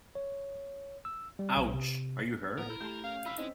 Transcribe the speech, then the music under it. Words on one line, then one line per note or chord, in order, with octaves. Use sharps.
Ouch! Are you hurt?
C#5
E6
G3
B1
C3
A2 A#3 B3 A#4
A#2 E4 A4 G6
A3 G4 A5 C6 G6
C#4 F5
C3 D#4 B5 E6 B6
G#3 C4 C#4 D#4 E4 D#5